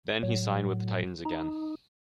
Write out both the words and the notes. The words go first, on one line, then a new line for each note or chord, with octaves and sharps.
Then, he signed with the Titans again.
A2 F#3
D#4